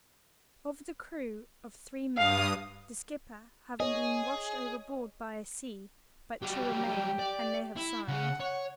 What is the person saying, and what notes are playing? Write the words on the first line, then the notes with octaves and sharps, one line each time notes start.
"Of the crew of three men, the skipper having been washed overboard by a sea, but two remain, and they have signed."
G2 F5 D#6
G#4 C#5 D#5
F#3 G3 G4
D5
E4
C#3 G#4 F#5
C#5